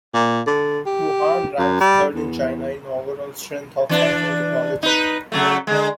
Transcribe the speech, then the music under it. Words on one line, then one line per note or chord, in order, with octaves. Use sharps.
Wuhan ranks third in China in overall strength of science and technology.
A#2
D3
G4
F#2
G3
E2
E3 D4
D#4 B4
C#3 F#3 A3
D3 G#3